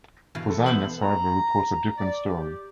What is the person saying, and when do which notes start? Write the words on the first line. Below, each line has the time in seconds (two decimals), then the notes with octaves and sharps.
Pausanias, however, reports a different story.
0.35 B2 E3 F5
0.49 A4
0.66 B3 C5 E5 F#7
1.02 A#5
1.98 D5
2.37 G4